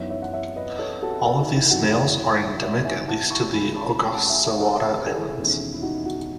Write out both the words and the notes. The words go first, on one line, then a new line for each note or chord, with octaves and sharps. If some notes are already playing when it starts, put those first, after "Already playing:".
All of these snails are endemic at least to the Ogasawara Islands.
Already playing: F#2 E3 B3 D#4 C#5 E5
C#5 E5
F#5
C#5 E5
B4 D#5
A4 C#5
F#4 A4
F#4 A4
D#4
E4
G#1 F#2 E3 D#4 F#4
E4 G#4
C#5 E5
C#5 E5
E5 G#5
F#5 A5
A5 C#6
C#2 C#3 E3 G#3 G#5 B5
B5
A5 C#6
G#5 B5
F#5 A5
E5 G#5
C#5 E5
A4 C#5
C#5 E5
G#4 B4
A4
E4 G#4
E1 D#2 D#3 A3 C#4
E4
D#4 F#4
D#4 F#4